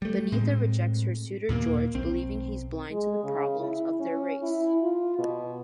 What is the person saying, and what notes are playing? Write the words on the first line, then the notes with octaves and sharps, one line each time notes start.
Beneatha rejects her suitor George, believing he's blind to the problems of their race.
G3 A3
A2 G#3 C4
D#2 A#2 G3 A#3
B1 C4
G#3
C#3
E4
C#4
E4
F4
B2